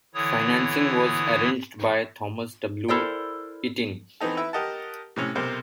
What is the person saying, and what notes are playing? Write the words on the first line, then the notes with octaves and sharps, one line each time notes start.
Financing was arranged by Thomas W Itin.
D3 E3 E4 C#5 D#6
E4 A4 A#4 C5 D5 G5
E3 B3 C4 D#4 A4
E4 B4 E5
G4 A#4 D#5 F#5 A5
A2 C3 C#4
B1 C3 A#4 C5